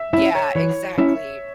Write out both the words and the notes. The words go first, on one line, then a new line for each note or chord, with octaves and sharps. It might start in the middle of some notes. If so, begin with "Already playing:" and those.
Yeah, exactly.
Already playing: E5
C#4 E4 E5
C#5
E3 C#5
C#4 E4 E5